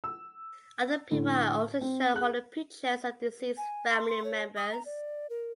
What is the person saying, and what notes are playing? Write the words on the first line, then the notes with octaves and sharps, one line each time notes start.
Other people are also shown holding pictures of deceased family members.
E6
A2 D3
C4
G#4 F#6
G#5
C6
C6
C#5
D#6
A#5
D5
A#4